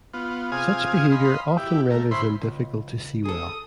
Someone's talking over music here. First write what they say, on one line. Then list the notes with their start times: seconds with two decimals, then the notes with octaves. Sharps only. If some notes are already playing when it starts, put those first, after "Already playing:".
Such behavior often renders them difficult to see well.
0.14 B3 F4
0.52 C3 F4 G#4 F5 G#5 D#6
1.12 D#5 F5 B5 C6
1.57 E4 G4
1.90 A3 A#4
2.11 C#3 E4 C5 B5 C6
2.43 C#2
3.25 G#4 A4 D#6